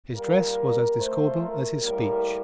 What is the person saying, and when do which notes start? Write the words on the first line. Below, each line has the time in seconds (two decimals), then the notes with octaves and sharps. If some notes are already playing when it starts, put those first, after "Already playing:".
His dress was as discordant as his speech.
0.12 A#2 G3 A#3 A#4
0.97 A#2 A3 C5
1.39 A#4
1.81 A2 G3 A#3 A#4